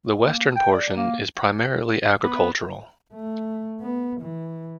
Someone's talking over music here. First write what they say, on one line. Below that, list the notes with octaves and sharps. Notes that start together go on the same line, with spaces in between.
The western portion is primarily agricultural.
A#3
G5
D5
A#3
B3
A3
B3
E3